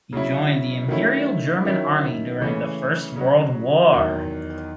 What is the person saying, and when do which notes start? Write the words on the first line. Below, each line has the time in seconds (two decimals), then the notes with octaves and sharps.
He joined the Imperial German Army during the First World War.
0.13 C#3 F#3 C#4 E4
0.88 D#3 F#3 A3 C#4 E4
1.65 D#3 F#3 C#4 E4
2.40 C#3 E3 A3 C#4
3.16 C#3 F#3 C#4 F#4
3.92 E2 D#3 F#3